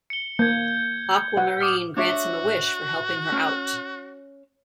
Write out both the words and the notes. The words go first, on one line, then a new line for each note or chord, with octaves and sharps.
Aquamarine grants him a wish for helping her out.
C#7 G7
A#3 G6 G#6
F#5
D6 D#6 F6
D4 F#4 C#5 E5
C#4